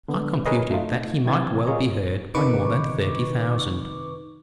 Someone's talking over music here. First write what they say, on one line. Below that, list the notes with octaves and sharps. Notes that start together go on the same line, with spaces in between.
I computed that he might well be heard by more than thirty thousand.
D3 B3
G#4 A#4 B4 C#5 D#5
A3 D#4 F4
C3 E3 G5 G#6 A6
F4 G#4 A#4 C#5 D#5
C3 D#3 D#4 B4 C#6 D6